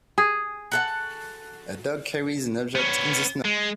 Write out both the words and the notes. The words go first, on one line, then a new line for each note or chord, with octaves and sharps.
A dog carries an object in the snow.
G#4
F#4 A4 F#5
B3 C#4
G#3